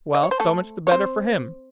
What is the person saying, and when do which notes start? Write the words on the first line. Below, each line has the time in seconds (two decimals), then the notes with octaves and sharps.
"Well, so much the better for him."
0.15 D#5
0.23 C#5
0.31 C5
0.40 A3 A4
0.87 C#5
0.91 C4 C5